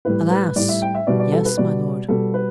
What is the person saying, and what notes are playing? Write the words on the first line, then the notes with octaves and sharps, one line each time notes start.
"Alas! yes, my lord."
A2 G3 B4
B4
A2 G3 D5
E5
G5
E5
B2 G3 D5
D5
A4
B4
B2 G3 D5
B2 G3 A4
B4